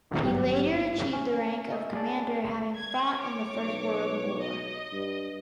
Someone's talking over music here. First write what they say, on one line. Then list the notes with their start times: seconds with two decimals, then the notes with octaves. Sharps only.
He later achieved the rank of commander having fought in the First World War.
0.24 G#1 G2 F#3 A#3 B3 G4
1.13 C#4
1.72 D#5 E5
1.94 G#4 D5 A5
2.76 G#6
3.18 C#5 D6
3.54 B1
4.40 D#5
4.93 G2